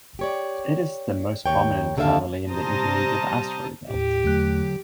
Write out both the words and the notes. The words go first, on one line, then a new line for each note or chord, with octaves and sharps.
It is the most prominent family in the intermediate asteroid belt.
G4 C#5 D5
D#2 G#2 C#5 G5
D#2 D3 A4 C#5 E5 F5
C3 G3 C5 A5 A#5 D#6
D#2 A2 G4
E2 D3 F#3 A3 F#6